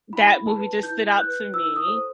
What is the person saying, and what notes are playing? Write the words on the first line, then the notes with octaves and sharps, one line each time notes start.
that movie just stood out to me
E4 B5
B4 A5
E4 G6
G6
B4 F#6
E4 E6
D#6
A4 C5